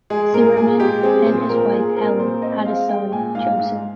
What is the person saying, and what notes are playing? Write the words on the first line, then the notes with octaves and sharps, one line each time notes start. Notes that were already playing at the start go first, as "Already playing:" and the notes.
Zimmermann and his wife, Helen, had a son, Joseph.
G#3 G#4
A#2 A#4
A#2 G#4
G#3 G4
C4 G#4
A#2 C5
A#2 A#4
A#2 G#4
C4 A#4
A#2 C5
C4 D#5
G#3 F5
G#3 G5
A#2 G#5
G#2 F5
G#2